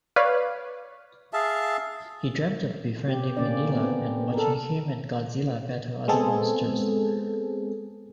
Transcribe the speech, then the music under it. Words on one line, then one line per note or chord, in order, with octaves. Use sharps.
He dreamt of befriending Minilla and watching him and Godzilla battle other monsters.
B4 C#5 D5 F5
G#4 E5 F5 A5
G4
B2 D3 A#3 C#4 D5
B3 C4
A4 A#4
G#3 B3 C4 G#4 A4